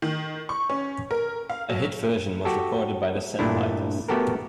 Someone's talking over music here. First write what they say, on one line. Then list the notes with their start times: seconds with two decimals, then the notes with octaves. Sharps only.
A hit version was recorded by The Sandpipers.
0.02 D#3
0.49 C#6
0.70 C#4
1.11 A#4
1.50 F5
1.69 F#3
2.45 F#4 G4 A4
3.39 G2 A#2 A3 D4 E4
4.08 A3 B3 F#4 G4 A4 A#4